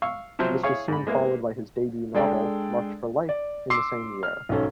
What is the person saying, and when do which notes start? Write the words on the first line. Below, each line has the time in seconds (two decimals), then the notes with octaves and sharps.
This was soon followed by his debut novel, "Marked for Life", the same year.
0.02 F5 C#6 E6
0.39 C3 F3 F#3 C5
0.63 E4 G#4 C#5 F5 C#6
0.88 G#2 B5
1.07 G#3 A#3 B3 E4
2.15 G#3 D4 A4 D5 G5
3.29 D5
3.70 C6 D6 E6 C7
4.23 F6
4.49 B1 G#2 C#4 A4